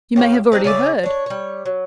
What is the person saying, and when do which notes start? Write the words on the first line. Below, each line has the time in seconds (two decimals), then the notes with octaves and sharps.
"You may have already heard?"
0.16 A2 G4 F5
0.52 A3 C4 D4 D#4
0.64 C#3 G#4 D5 E5
1.03 D4 C#5
1.26 G3 C#5
1.66 F#3